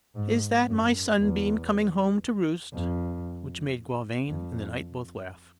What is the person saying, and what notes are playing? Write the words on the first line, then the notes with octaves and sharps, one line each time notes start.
"Is that my sunbeam coming home to roost?" which made Gauvain and the knight both laugh.
G#2
F#2
E2
F2
F2